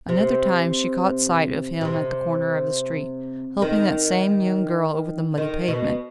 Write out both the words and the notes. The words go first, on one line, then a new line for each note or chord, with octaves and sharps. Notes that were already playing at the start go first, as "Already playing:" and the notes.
Another time she caught sight of him at the corner of the street, helping that same young girl over the muddy pavement.
C3
B2
C3
D#3
D#3
B2